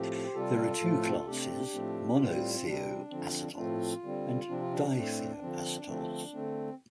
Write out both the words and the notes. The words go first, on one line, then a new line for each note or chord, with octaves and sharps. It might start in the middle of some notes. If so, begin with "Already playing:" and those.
There are two classes: monothioacetals and dithioacetals.
Already playing: A2 F3 A3 C4 G4
C5
C3 G3 C4 F4 A4
A2 F3 A3
C4
D4
F4
C3 A3 C4 D4 G4
A2 F3 A3 C4
A2 G3 C4 F4
C4
C3 G3 C4 D4
D3 F3 C4
D4
A2 F3 A3 C4 F4
D3 G3 C4
C3 F3 C4 D4
F4
D4
A2 A3 C4
D3 F3 C4
D3 F3 A3 C4
D3 A3 C4